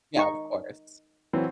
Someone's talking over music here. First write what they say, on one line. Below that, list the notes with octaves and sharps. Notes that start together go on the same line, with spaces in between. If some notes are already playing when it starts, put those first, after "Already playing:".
Yeah, of course.
D#4 C#6
E3 F#3 C4